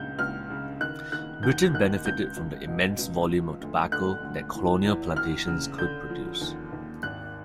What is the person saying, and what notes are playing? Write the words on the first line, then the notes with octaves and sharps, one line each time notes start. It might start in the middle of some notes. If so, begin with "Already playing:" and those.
Britain benefitted from the immense volume of tobacco that colonial plantations could produce.
Already playing: C#2 C#3 G6
C#2 F6
C#3
D#3 F#6
D#3 F#6
D#2 G6
D#3 F#6
C#2 G6
C#2
B2
C#2
F3
D2
D3 F#6
D2
E3
E2
E3 F6
C#3
D3 G6
F3
D#2
D#2
G#1 F#6